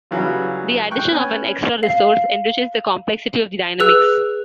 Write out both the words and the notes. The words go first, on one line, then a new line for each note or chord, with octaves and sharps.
The addition of an extra resource enriches the complexity of the dynamics.
C#3 E3 F#3 G3 F4
G5 C#6 F#6
B3 C#4 G#5
F5
G#4 B4 E6 F#6